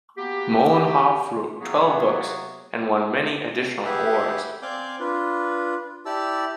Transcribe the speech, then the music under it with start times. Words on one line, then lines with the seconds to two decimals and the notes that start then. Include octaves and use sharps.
Mollenhoff wrote twelve books and won many additional awards.
0.17 A#3 B3 F#4 G4
1.60 C3 F#3 A#3 B3 F#4 G#4
3.85 G4 G#4 B4 E5 F#5
4.62 C4 D5 F5 G#5 D6 G6
4.99 D4 F4 B4
6.06 E4 G4 D5 A5 E6